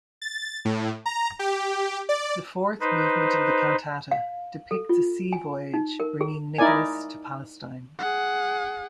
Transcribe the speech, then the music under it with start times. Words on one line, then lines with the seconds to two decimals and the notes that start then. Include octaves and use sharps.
The fourth movement of the cantata depicts a sea voyage bringing Nicolas to Palestine.
0.21 A6
0.65 A2
1.06 A#5
1.39 G4
2.09 D5
2.81 D#4 B4 C5
4.11 F5
4.71 A4
4.89 F4
5.33 G#5
5.74 D#4
6.00 A#4
6.21 G#4
6.58 D#4 E4 A#4 D5 G#5
7.99 G#4 F#5